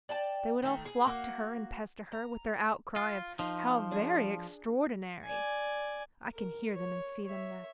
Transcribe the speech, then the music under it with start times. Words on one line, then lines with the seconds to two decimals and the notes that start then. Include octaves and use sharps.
They would all flock to her and pester her with their outcry of 'How very extraordinary!' I can hear them and see them now.
0.09 D5 G5 A5
0.62 D#3 A3
0.85 G#4
1.06 A#3 F#4
2.12 A#5
2.96 F4
3.39 F3 D#4 C6
3.91 D4 G#4
5.25 D5 G#5
6.34 A#4
6.75 C#5
7.25 C#5 E5